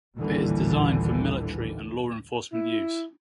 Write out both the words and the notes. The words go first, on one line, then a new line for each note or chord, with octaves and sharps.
It is designed for military and law enforcement use.
A1 D#2 A#2 D3 E3 G3
E4